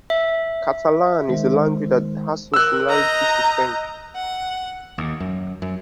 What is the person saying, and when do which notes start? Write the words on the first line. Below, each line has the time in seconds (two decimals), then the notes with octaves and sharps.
Catalan is a language that has some similarities to French.
0.10 E5
1.29 D#3 G#3 C5
2.54 A#4 E6 F#6
2.88 D#5 A#5 G6
4.15 F#5
4.98 D#2
5.20 F#2
5.62 F#2